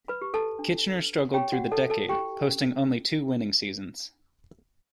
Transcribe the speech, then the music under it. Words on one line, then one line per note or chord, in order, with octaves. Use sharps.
Kitchener struggled through the decade, posting only two winning seasons.
B4 B5
G4
A4 A5
D4
B4
G4 C#5 G5
F#4 F#5
A4 C#5 A5
A4 A5
E4 G4 G5
C#4